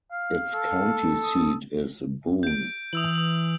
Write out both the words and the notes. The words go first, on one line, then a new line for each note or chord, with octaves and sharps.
Its county seat is Boone.
F5
A4
D#6
G6 D7
E3 D#6 E6 F#7
D#6 F#7